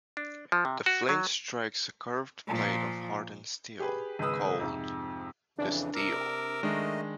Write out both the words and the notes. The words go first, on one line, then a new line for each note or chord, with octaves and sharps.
The flint strikes a curved plate of hardened steel, called the "steel".
D4
F3
C3
F#4
F#3
A#2 F3
G4 G#4 B4
G#1 C#2 G#4 B4 D#6 E6
F2 G#2 C3
F2 C#3 E3 D4
C3 A#4 D6 E6
D#3 G#3 A3 D4 D#5